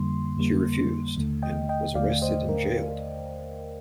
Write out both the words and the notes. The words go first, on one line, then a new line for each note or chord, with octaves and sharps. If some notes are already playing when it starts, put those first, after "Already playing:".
She refused, and was arrested and jailed.
Already playing: F2 D3 G3 A#3 C6
F2 D3 G3 A#3
D#2 D3 A3
D#5 G5
D#5 G5
D#2 D3 A3 D5 F5
C5 D#5
A#4